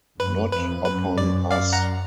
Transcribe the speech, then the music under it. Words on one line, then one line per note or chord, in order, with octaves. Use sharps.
Not upon us!
F#2 B4
F2 B4
F#2 B4
F#2 D5
F#2 D5 F5
F#5 A#5